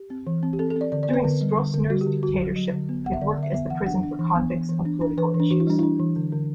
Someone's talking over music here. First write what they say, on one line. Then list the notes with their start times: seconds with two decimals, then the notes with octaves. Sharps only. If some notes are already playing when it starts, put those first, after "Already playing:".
During Stroessner's dictatorship it worked as the prison for convicts of political issues.
Already playing: G4
0.10 C4
0.27 E3
0.43 C4
0.53 G4
0.59 C4 A4
0.70 A4
0.76 C4 D5
0.92 D3 D5
1.03 D5
1.09 B3 B4
1.25 D3
1.41 G3
1.58 D3
1.74 D3
1.90 G3 F#4
2.01 G4
2.07 D3
2.23 D3 F#4
2.40 F#3
2.56 F#3
2.72 D3
2.89 B3
3.05 B3 F#5
3.13 E5
3.21 D3 D5
3.38 D3 E5
3.54 B3 E5
3.70 E3 F#5
3.87 D4 F#5
4.03 D4
4.19 E3
4.36 B3
4.52 E3
4.69 E3
4.85 D4
5.01 D4
5.17 E3 B4
5.34 E3
5.40 D4
5.50 E3 F#4
5.60 E4
5.67 G3 D4
5.79 D4 E4
6.00 E3
6.16 D3
6.32 D3